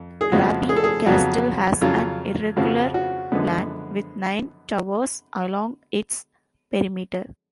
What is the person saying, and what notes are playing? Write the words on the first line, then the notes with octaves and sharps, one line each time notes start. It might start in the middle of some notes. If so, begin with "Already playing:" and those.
Raby Castle has an irregular plan, with nine towers along its perimeter.
Already playing: F2
G#4
F2 C#3 F3 G#3 B3 F#4
G#4
A4
G#4
F2 C#3 F#3 B3 F#4
F2 C#3 F#3 F4
F2 C#3 F3 F#4
F#4
F#2 D3 F3 G#3 B3